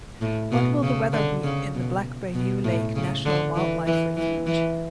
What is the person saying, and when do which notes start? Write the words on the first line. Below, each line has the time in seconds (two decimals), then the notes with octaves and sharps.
What will the weather be in the Black Bayou Lake National Wildlife Refuge?
0.22 A2
0.52 B2
0.82 C#3
1.13 D3
1.44 C#3
1.74 B2
2.34 B2
2.64 A2
2.95 C#3
3.26 D3
3.56 E3
3.87 E3
4.17 E3
4.47 E3